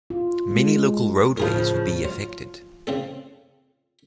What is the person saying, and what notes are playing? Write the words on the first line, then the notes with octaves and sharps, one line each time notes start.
Many local roadways would be affected.
F4
G#3
A2 C#3 F3 F4 G#4 A#4
F#3 F4
C#3 C4 A4